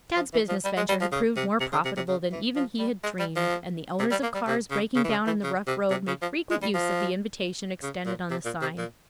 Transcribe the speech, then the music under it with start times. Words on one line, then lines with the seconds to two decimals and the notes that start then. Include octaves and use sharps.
Tad's business venture had proved more profitable than even he had dreamed, and the owners of cars breaking down on the rough road made frequent use of the invitation extended on the sign.
0.17 F3
0.33 E3
0.49 F3
0.64 G3
0.77 G#3
0.89 G3
1.01 F3
1.12 C#3
1.36 C3
1.60 C3
1.72 C#3
1.85 C3
1.97 C3
2.08 C#3
2.32 E3
2.56 F3
2.79 G3
3.03 G#3
3.19 G3
3.36 F3
4.00 C3
4.11 G3
4.23 A#3
4.35 G3
4.47 C3
4.71 C#3
4.96 C#3
5.04 E3
5.10 C#3
5.27 E3
5.43 C#3
5.67 C3
5.91 C3
6.07 C#3
6.22 F3
6.51 G#3
6.62 G3
6.74 F3
7.82 C#3
8.06 A#2
8.30 C3
8.45 A#2
8.62 C3
8.78 A#2